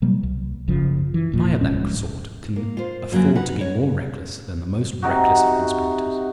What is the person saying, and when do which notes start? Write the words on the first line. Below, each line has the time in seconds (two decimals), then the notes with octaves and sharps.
A spy of that sort can afford to be more reckless than the most reckless of conspirators.
0.02 B2 F#3 G3 A#3
0.23 C2
0.68 F#1 C#3 F3
1.14 E3
1.32 E1 A#2 F3
1.61 D1 C2 G#2 C#4
2.56 A#3
2.77 F4 C5
3.12 F#2 C#3 F#3 A#3
3.35 D#4 B4 F#5
3.61 C#5
5.02 C3 D#4 F#4